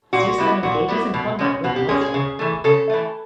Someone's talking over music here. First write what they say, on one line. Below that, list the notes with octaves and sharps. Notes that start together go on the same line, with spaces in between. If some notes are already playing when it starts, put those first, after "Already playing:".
Zeus then engages in combat with the monster.
A#2 F#4
G3 B3 E4
A#2 F#4
G3 B3 E4
B2
G#3 C#4
B2 F#4
G4
G#3 C#4 G#4
G#4
C#3
E3 A3
C#3 A4
E3 A3